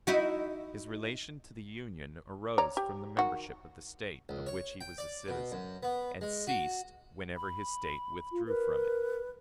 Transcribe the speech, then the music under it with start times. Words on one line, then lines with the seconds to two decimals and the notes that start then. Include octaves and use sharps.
His relation to the Union arose from the membership of the State of which he was a citizen, and ceased whenever his State withdrew from it.
0.07 D#4 E4 F#4
2.58 C#5 D5 A#5
2.77 G4
3.17 D#3 F#4
4.29 C#2
4.47 C#5
4.81 G5
4.98 D5
5.28 B2
5.52 F#2
5.83 B3
6.21 G#3
6.47 F#4
7.36 B5
8.32 F4
8.47 A#4 B4